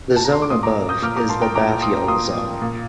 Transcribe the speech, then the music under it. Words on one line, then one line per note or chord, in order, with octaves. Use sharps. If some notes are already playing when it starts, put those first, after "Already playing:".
The zone above is the bathyal zone.
A5
A#5
C6
D6
A#2 C6 D#6
A#5 D6
D#6 G6
A#2 D6 F6
A#5 D6
A5 C6
G5 A#5
A#2 A#5 D6
C6 D#6
A#2 C6 D#6
A#2